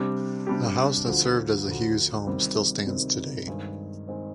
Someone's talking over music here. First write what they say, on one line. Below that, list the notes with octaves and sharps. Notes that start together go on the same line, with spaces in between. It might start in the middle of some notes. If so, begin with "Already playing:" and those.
The house that served as the Hughes' home still stands today.
Already playing: C3 G3 D4 G4
C3 G3 D4 G4
D2 D3 F3
D2 D3 F3
C3 D#3 G3 C4
C3 D#3 G3 C4
G2 D#3 G#3 C4
D#3 G#3 C4